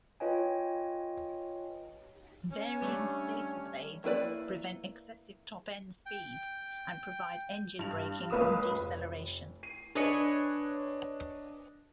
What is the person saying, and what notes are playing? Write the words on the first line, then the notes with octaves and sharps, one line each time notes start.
Varying stator blades prevent excessive top end speeds, and provide engine braking on deceleration.
F4 B4 C#5 D#5 G5 G#5
C#4
G3 A3 D4
A#3 E4 B4 D5
G5
G2 F7
C#2 A#3 B4 F5 D#6 E7
F1
C7 D#7
D4 B4 C#5 D#5 G#5 C#7